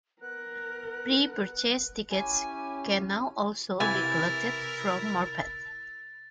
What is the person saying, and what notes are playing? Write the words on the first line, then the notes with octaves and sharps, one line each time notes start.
Pre-purchased tickets can now also be collected from Morpeth.
B3 A#4 F#6
C#4 E4 G4 G#5
C3 E3 E4 G4 A#4 G#5 A6